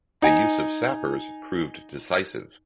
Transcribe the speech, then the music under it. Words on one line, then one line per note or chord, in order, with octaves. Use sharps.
The use of sappers proved decisive.
D#4 G#5